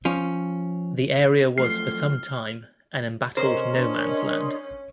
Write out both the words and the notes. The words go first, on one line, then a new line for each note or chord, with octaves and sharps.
The area was for some time an embattled no-man's land.
F3 C#4
F#2 F3 A3 F6 C7
C3 C#4 A#4 C5 D#5 C6
D4